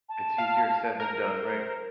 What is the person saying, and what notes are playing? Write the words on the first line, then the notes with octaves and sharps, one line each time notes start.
It's easier said than done, right?
A5
F5
A#4
C5